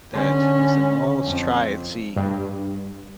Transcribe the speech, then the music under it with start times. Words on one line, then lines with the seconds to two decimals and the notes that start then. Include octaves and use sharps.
that they said, "Well, let's try and see
0.12 D3 C#4
1.24 F2
2.16 G2